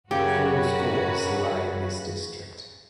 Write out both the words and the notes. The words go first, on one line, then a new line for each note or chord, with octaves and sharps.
Four schools lie in this district.
F#2 C#3 F#4 G4 B4